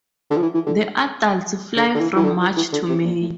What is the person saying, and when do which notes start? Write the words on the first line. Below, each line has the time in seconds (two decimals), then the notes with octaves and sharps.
The adults fly from March to May.
0.31 D3
0.37 F3
0.42 E3
0.54 E3
0.66 D3
1.76 D3
1.95 D3
2.00 E3
2.16 E3
2.24 D3
2.40 F3
2.57 E3
2.72 D3
2.89 C3
3.05 A#2
3.21 A2